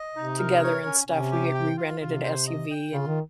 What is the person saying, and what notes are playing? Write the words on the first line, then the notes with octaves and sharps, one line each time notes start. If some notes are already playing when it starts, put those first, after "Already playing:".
together and stuff. We we rented an SUV and
Already playing: D#5
C3 D#4
A#4
C#5
C#4
C3 C#4
G4
G5
F4
C3 F4
C5
D#5
G5
C#3 F4
D#3